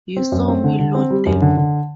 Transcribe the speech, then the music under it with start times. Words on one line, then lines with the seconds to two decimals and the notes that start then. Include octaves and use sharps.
You saw me load them.
0.17 C4
0.32 F#2
0.48 C4
0.64 D3
0.79 D3
0.94 C4
1.10 G3
1.26 F#2
1.42 D3
1.57 D3